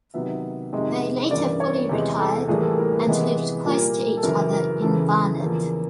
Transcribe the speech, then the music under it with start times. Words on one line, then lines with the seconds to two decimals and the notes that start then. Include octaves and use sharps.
They later fully retired, and lived close to each other in Barnet.
0.14 C3 D#3 F#3 B3 E5
0.73 F2 C3 D#3 G#3
1.31 G2 E3 G3 A#3 C#4 D5
1.60 C#5
1.89 E2 C3 E3 G#3
2.19 A4
2.48 A2 E3 G3 A#3 G#4
2.63 A4
2.78 A#4
2.92 B4
3.07 C3 E3 G#3 B3
3.65 A#2 G3 A#3
4.17 A4
4.23 F#2 C#3 E3 A#4
4.53 A#4
4.82 E2 C#3 E3 A4
5.40 E2 C#3 F3 A#3